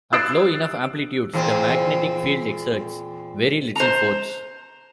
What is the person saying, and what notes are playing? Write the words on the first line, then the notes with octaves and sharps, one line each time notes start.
At low enough amplitudes the magnetic field exerts very little force.
E6 F#6 A6 C7 D7
E2 A#2 C4
C5 A#5